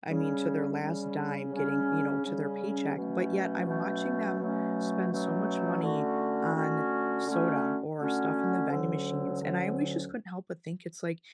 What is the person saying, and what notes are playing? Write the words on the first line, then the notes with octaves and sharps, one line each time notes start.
I mean, to their last dime getting, you know, to their paycheck. But yet, I'm watching them spend so much money on soda or stuff in the vending machines, and I always just couldn't help but think it's like,
C#3 G3 C#4
C#3 G3 C#4
C#3 G3 C#4
C#3 G3 C#4
B2 F#3 A3 C#4
B2 F#3 A3 C#4
B2 F#3 A3 C#4
B2 F#3 A3 C#4
D3 A3 C#4 F#4
D3 A3 C#4 F#4
D3 A3 C#4 F#4
D3 A3 C#4 F#4
D2 D3 F#3 C#4
D2 D3 F#3 C#4